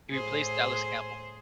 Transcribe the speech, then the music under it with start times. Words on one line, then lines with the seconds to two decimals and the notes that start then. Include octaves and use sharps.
He replaced Dallas Campbell.
0.11 A2 G#4 C5